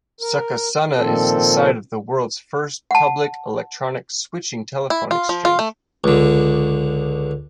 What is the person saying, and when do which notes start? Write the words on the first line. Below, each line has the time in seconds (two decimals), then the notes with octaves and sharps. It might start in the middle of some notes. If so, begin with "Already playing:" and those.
Succasunna is the site of the world's first public electronic switching telephone exchange.
0.21 A#4
0.97 A#2 D#3 F3 C4 A4
2.91 F#5 A5
4.90 E4
5.11 F4
5.29 F3
5.45 F4
5.59 A3
6.04 C#2 D3